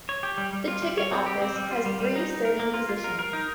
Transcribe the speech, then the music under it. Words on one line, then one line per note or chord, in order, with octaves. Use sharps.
The ticket office has three serving positions.
C#5
G4
G3
G3
F4
G3
C#5
C4
G4
C4
G3
F4
G3
G3
D#4
D#4
A#4
A#3
F4
F4
A#4
A#4
D#4